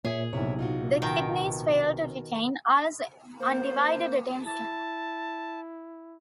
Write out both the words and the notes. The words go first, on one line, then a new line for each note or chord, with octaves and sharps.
The kidneys failed to retain Al's undivided attention.
A#2 G#4 C#5 E5
B1 C3 E4 C#5
D#4 F4 F#4
B2 D#3 G5
A#3 C5
E4 A5